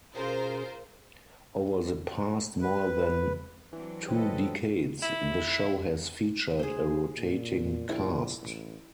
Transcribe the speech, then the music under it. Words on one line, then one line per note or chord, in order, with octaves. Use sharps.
Over the past more than two decades, this show has featured a rotating cast.
B2 C#4 F4 G#4 A#4 C5
B4
E3 F#3 C4 D4
F#3 C4 A4 B4 D#5
E4
D2 G#4 C5
A#2
A#1 E4 D5
A1